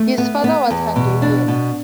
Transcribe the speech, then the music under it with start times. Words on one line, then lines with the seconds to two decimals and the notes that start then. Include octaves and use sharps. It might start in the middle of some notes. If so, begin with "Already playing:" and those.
His father was Hungarian.
Already playing: A3
0.18 B3
0.44 B3
0.70 E2
0.96 B2
1.22 D4
1.48 B2